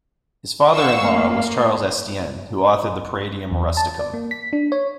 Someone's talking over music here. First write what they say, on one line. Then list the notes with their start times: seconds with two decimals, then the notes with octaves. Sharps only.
His father-in-law was Charles Estienne who authored the Praedieum rusticum.
0.75 F5 F#5 C#6 E6
1.04 A2 A#3
3.52 E2
3.77 A5
3.99 D5
4.14 A#3
4.31 B6
4.53 D4
4.72 C#5